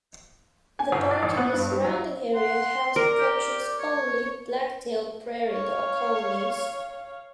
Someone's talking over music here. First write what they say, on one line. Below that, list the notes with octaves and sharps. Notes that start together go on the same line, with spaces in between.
The park and surrounding area house the country's only black-tailed prairie dog colonies.
G#5
G1
D5
A1
B3
G2
G3
F#3
F#5 C6
A#4 D5
G4
C#5
C#5 F5